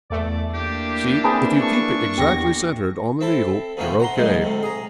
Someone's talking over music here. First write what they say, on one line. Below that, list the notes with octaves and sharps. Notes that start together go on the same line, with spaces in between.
See--if you keep it exactly centered on the needle, you're O.K.
E2 A3 D5
A#3 D4 E4 G4
C4 G#4 B4 A5
C#6
E2 G4 A#6
C4 E4 A4
D2 B2 D#3 F3 C#4 E5
F#5 A#5 C6
B1 A#2 D3 E3 G#3
D2 A2 C3
G#4 A#5